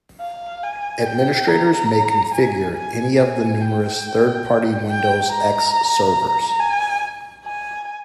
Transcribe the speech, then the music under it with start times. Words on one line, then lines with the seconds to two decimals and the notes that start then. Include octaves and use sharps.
Administrators may configure any of the numerous third-party Windows X servers.
0.21 F5
0.64 G#5
1.06 G5
1.48 A#5
2.34 G#5
2.77 G#5
3.19 G#5
3.62 G5
4.89 G5
5.32 A#5
6.60 G#5
7.45 G#5